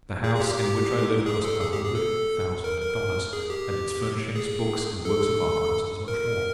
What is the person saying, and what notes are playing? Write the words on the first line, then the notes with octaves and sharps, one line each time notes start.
The house in which I live cost a hundred thousand dollars, and its furnishings, books, and works of art cost as much more.
G#4
G#4
G4
G4
G#4
A4
G#4
G4
G#4
A4
A#4
A#4
G#4
G4
G#4
A4
A#4